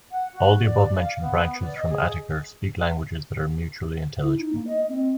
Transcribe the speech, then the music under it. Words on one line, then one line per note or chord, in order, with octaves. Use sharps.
All the above-mentioned branches from Ateker speak languages that are mutually intelligible.
F#5
F#4
D5
F5
B3
D5
D#5
G#4
E4
D#4
A#3
D#5
C4